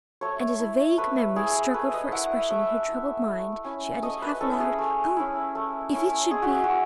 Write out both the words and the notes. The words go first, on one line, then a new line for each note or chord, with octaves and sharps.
And as a vague memory struggled for expression in her troubled mind she added half aloud: "Oh! if it should be ...!"
A3 C#5
E4
A3 B4
E4 G#4
A3 B4
D#5
E4 F#5
A3 E5
E4
A3
C#4 E4
A3 D#5
B4
C#4 E4 A4
G#4
A3
C#4 E4
A3
C#4 E4
G#3 G#4
F#4
F#4
E4